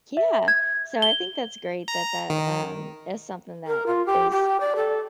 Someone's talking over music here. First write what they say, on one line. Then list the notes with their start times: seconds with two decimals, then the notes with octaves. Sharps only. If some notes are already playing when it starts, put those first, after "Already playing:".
Yeah, so I think that's great that that, um, is something that is
0.17 E5
0.48 G#6
1.02 G7
1.88 A#5
2.30 D#3
3.67 A#4
3.87 F4
4.06 G4
4.31 G4
4.61 D5
4.76 A4